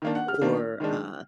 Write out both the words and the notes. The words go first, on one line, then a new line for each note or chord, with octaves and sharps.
or, uh
D#3 A#3 D4
F#5
F6
D#3 A#3 D4
D#3 G#3 D4